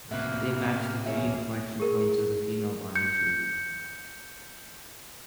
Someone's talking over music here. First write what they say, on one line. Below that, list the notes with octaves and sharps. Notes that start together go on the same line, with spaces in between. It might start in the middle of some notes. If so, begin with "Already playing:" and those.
They match the three inflection points of the female body shape.
A2 C3 A#3 E4 F#4 B4
G4 F5
A#3 E4 G#4 C#5
G#4 A#4
G6 C#7